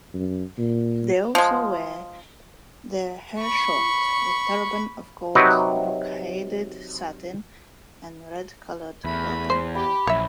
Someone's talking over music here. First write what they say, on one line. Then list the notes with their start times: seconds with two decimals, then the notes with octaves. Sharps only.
They also "wear their hair short, with turban of gold-brocaded satin", and red-coloured clothing.
0.14 F#2
0.58 A#2
1.35 F3 G#3
3.39 B5 C#6
5.35 C3 F#3 D#4 F#4 G4 B4
9.05 E2 A3 B5
9.50 C5
9.75 G4 B5
10.07 A#1 F#3 C#5 E5